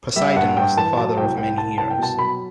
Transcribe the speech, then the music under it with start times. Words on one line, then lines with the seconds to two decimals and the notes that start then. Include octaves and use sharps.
Poseidon was the father of many heroes.
0.16 G3 E5
0.36 G2 F#5
0.57 G2 G5
0.77 E3 A5
0.97 F#3 A5
1.17 C2 G5
1.38 C2 G5
1.58 C2 A5
1.78 C2 A5
1.90 G5
1.98 B2 A5
2.18 F#3 B5